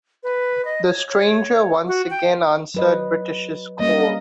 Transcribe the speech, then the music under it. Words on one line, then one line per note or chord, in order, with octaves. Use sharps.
The Stranger once again answered British's call.
B4
D#5
C#5
C#5
F#4
G5
F#3 B4 D#5
G3 A#3 C#4 D#5